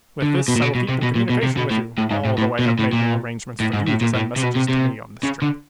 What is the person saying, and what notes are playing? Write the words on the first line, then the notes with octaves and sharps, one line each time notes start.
With this I will keep in communication with you, although I have made no arrangements for you to send messages to me on this trip.
D3
C#3
B2
A#2
B2
B2
C3
B2
A#2
B2
C3
B2
A2
A2
G#2
A2
A2
B2
A#2
A2
A#2
A2
G#2
A2
A#2
A2
C3
B2
C3
C3
C#3
D3